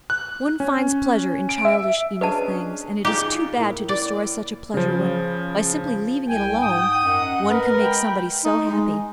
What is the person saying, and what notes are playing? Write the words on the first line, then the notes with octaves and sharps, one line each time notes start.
"One finds pleasure in childish enough things, and it is too bad to destroy such a pleasure when, by simply leaving it alone, one can make somebody so happy."
F#6
C#4
D7
E5
C#4 D4 G#4 B4 D#5 A5
D#4 F4 G4 G#4
A2 A#3 E4
D5
C#3 F3
C2 G5 G#5
G#2 D#6
F#2 D#5 F#5
A#4 B4
G#3 G5 B5
D#4
G#3